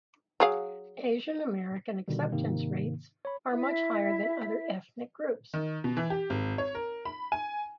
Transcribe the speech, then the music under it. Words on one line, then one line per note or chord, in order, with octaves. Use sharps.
Asian American acceptance rates are much higher than other ethnic groups.
F#3 G#4 F5
B2 D3 D#3 G3
G#2 C3 D#3 A#3
C#5 B5
E4 E5
D#3
B2
E3
G4
G#1
C#5
A#4
B5
G#5